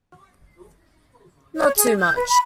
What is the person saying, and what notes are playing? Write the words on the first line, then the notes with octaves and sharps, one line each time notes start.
Not too much.
C#5
G#4
G6
B4
B5